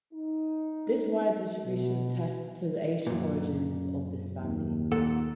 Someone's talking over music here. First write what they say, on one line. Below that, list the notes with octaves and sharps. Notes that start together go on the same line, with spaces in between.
This wide distribution attests to the ancient origin of this family.
D#4
B2
F#2 A#2
D#2
A#2 A4 F#5